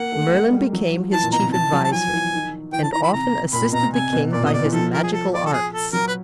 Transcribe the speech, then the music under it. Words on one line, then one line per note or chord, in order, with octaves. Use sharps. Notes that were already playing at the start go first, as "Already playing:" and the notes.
Merlin became his chief adviser, and often assisted the king by his magical arts.
Already playing: A#3 F#5
A3
G#3
G3
F#3
F3
E3 A5
A#2
B2 A#5
C3
E3 A5
F#3
A5
F3 G#5
E3
D#3
E3 G5
A5
E3 A#5
B5
C3 A#5
A#2 B5
B2 A#5
C3 G#5
B2
A#2 D5
B2 D#5
D5
E3
F3 A4
A#4
G#4
A4
D5
A4
G#4
A4
F#3 A#4
B4